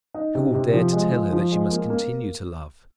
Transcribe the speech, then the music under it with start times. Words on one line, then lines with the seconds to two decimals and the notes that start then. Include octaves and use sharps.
Who will dare to tell her that she must continue to love?
0.14 D#4
0.35 C3
0.54 C3
0.73 F3
0.92 G#3
1.12 F3
1.33 F3
1.52 G#3
1.71 A#3
1.90 A#3